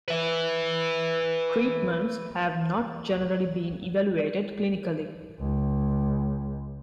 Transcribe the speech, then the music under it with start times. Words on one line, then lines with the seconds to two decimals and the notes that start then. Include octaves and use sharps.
Treatments have not generally been evaluated clinically.
0.08 B4 E5
5.40 C#2